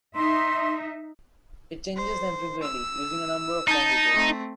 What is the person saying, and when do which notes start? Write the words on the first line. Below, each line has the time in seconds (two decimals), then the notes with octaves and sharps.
It changes them frequently, using a number of languages.
0.15 D#4 E5 C6
1.96 C5
2.63 E6
3.68 D#4 A5 G6
4.13 A3 C4